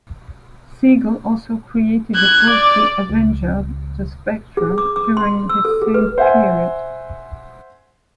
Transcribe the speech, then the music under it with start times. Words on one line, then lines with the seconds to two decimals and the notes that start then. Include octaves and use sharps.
Siegel also created the ghostly avenger The Spectre during this same period.
2.15 F#6 G#6
2.50 D5
3.10 C#2
4.57 G#4
4.78 D6
4.96 D6
5.17 C6
5.49 E6
5.65 A4
5.82 G#4
5.94 B4
6.18 C5 E5 F#5 G#5